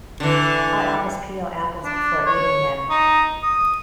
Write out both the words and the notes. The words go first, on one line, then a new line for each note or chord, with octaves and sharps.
I always peel apples before eating them.
D3 E3
D4
C#5
D#4
D#6